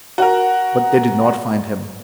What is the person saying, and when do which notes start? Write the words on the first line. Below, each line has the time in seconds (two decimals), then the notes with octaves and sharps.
But they did not find him.
0.18 F#4 A#4